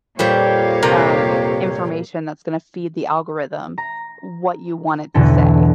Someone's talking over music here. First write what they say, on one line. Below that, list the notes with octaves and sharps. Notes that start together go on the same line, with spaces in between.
um, information that's gonna feed the algorithm what you want it to say?"
F2 A#2 G3 A#3 G4 C5 C#5 F5
C3 A#4
A#5
B1 E2 B2 D3 A4